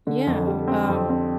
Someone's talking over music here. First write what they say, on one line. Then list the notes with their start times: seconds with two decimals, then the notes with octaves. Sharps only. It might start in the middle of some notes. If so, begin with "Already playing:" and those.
Yeah, um,
0.07 D3
0.27 F2
0.47 G3
0.68 C4
0.88 F2
1.09 C4